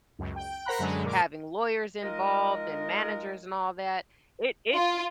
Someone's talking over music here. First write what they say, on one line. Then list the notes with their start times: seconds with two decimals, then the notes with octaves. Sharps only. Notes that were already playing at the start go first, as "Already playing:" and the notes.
having lawyers involved and managers and all that, it it
0.19 C#2 F#2
0.36 G5
0.65 A#4 C5 F#5 A#5 B5 F#6
0.79 F#2 D3 F#3 G#3
1.04 A#2 A#4 D6
2.02 G#3 D#4 F4 A#4 D#5
4.74 F4